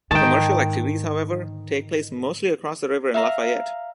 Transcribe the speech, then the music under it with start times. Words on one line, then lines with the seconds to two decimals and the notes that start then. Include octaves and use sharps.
Commercial activities, however, take place mostly across the river in Lafayette.
0.11 G#2 D3 D#3 G5 A5
3.14 E5 F5 A#5